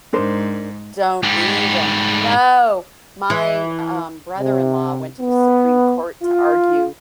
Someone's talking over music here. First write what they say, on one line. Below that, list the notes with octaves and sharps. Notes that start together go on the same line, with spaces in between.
don't even. No! My um, brother-in-law went to the Supreme Court to argue
G#2 D4 A#4 C5
G#2 G3
E3
C3
B3
F4